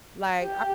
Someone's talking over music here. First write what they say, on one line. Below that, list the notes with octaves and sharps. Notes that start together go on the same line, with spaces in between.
Like, I
G4